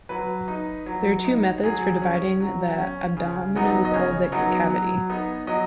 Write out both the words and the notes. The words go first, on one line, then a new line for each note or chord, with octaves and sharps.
There are two methods for dividing the abdominopelvic cavity.
F#3 B4
D#4
F#3
D#4
F#3 G#4
C#4
F#3
C#4
C#3
F#3 B3 D#4
D#5
C#3 C#5
F#3 B3 D#4
F#3
B3 D#4
F#3 D#5